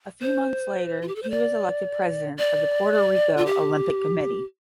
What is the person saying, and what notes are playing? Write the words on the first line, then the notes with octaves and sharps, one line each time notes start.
A few months later he was elected president of the Puerto Rico Olympic Committee.
C5
F4
G4
A4
C5
D5
D5
F4
G4